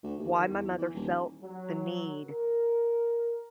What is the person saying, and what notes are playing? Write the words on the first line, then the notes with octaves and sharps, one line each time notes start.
why my mother felt the need
D2
D#2
D#3
E2
E3
D#1
F#3
A#4